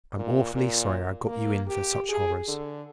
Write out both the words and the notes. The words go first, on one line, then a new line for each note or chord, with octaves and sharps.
I'm awfully sorry I got you in for such horrors.
A#2
A#2
A#3
G4
G#4
D3